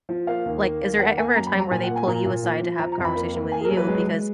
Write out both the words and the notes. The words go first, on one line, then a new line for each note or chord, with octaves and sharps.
like, is there a ever a time where they pull you aside to have conversation with you? Because
F3
A#3 F5
D#2
A#3
D#2
A#3 F#5
A#3 G#5
F#2 A#5
B5
F#3
A#5
A#2 G#5
F#5
A#3
G#5
A#2 A#5
A#2
F3
F3
F3 A#5
A#5
F2
B5
A#3
A#3
A#3 G#5
G#4
A#4
F#3
B4
G#3
G#3